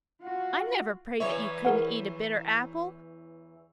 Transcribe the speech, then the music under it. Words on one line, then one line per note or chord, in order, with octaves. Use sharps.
I never prayed that you couldn't eat a bitter apple.
F4 F#4
E2 E3 C#5 E5
G#4 A#4 F#5